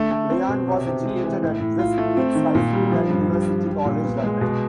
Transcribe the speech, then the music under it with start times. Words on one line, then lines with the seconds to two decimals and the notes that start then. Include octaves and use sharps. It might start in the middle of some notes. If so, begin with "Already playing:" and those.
Lyon was educated at West Leeds High School and University College, London.
Already playing: D3 A3
0.11 A3
0.30 C4
0.49 B2
0.68 C3
0.86 C3
1.05 G#3
1.24 E3
1.43 A2
1.60 A2
1.79 F4
1.98 A3
2.17 C4
2.35 D#3
2.55 A#2
2.73 G3
2.92 F3
3.10 G2
3.30 G3
3.48 G3
3.66 G3
3.85 A#2
4.04 B3
4.24 G#3
4.41 B2